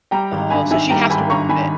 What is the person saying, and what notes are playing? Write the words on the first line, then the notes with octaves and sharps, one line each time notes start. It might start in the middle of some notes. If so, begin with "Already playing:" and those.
Oh, so she has to work at it.
G3 G5 A#5
G#1
G2 G#5 B5
D#3 E5 G#5
G3 G5 A#5
G#1 G#5 B5
G2 A#5 C#6
D#3 G#5 B5